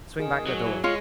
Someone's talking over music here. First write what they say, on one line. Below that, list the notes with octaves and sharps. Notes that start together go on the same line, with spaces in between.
Swing back the door.
D#3 G#4
F#3
E3
G#3 F4 C#5